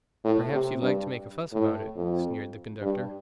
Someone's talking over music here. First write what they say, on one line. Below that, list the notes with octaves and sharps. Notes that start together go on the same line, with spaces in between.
"Perhaps you'd like to make a fuss about it," sneered the conductor.
A2
C3
G2
A2
F2
G2